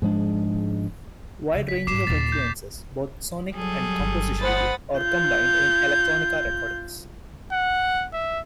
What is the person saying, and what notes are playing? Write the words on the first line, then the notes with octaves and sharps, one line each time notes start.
Wide ranges of influences, both sonic and compositional, are combined in electronica recordings.
G#2 F3 G#3 D4
C#3
B6
G#2 G3 D6 C7 E7
D#2 A#2 A6
G6
F#3 G3 G#4 A4
G1
C5 F#5 B5 D#6 A6
F4 G6
F#5
E5